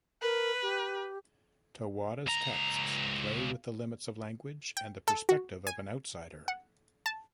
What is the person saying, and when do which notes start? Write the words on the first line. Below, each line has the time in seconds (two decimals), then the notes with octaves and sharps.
Tawada's texts play with the limits of language and the perspective of an outsider.
0.22 A#4 B4
0.62 G4
2.27 C#2 A#5
4.77 G5
5.08 A4
5.29 F#4
5.67 G#5
6.48 F#5
7.06 A5